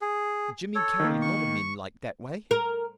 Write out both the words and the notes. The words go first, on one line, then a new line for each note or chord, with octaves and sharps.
"Jimmy carry lot o' men like that way!"
G#4
A4 C#5
D#3 A#3
C#6
A#4